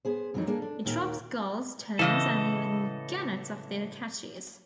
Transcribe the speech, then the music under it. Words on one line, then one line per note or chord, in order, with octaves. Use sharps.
It robs gulls, terns and even gannets of their catches.
B3 G#4 C5
F2 E3 F#3 C4 D4 D#4
A#3 D4 G#4 A4
D4
D#2 A#2 D#3 A#4 G5
A2 C#3 E3 A4 D#5